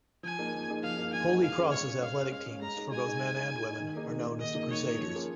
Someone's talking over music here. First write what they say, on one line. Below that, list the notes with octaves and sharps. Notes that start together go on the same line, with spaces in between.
Holy Cross's athletic teams for both men and women are known as the Crusaders.
F3 G#5
A#3 D#4 G#4
F3
A#3 D#4 G#4
F3 F5
A#3 D#4 G#4
F3 G#5
A#3 D#4 G#4
G#3 F5
C#4 G#4
G#3 C#5
C#4 G#4
G#3 F5
C#4 G#4
G#3 F5
C#4 G#4
G#3 A#5
D#4 G#4
G#3 G#5
D#4 G#4
G#3
D#4 G#4
G#3
D#4 G#4
D#3
A#3 D#4 G#4
D#3
A#3 D#4 G#4
D#3 D#5
A#3 D#4 G#4
D#3 C#5
A#3 D#4 G#4
F3
A#3 C#4 F4 G#4